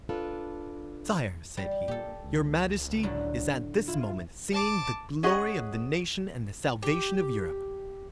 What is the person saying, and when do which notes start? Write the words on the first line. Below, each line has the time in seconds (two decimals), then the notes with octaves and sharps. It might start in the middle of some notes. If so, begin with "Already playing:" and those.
"Sire!" said he, "Your Majesty is at this moment signing the glory of the nation and the salvation of Europe!"
0.09 D4 F4 A4 B4
1.57 G3
1.88 A#2 G4 A4
2.24 C#2
3.03 A2 D3 F#3
3.88 E4 F4
4.52 A5 D6
5.23 C#4 G#4 D#5 F#5
6.83 G4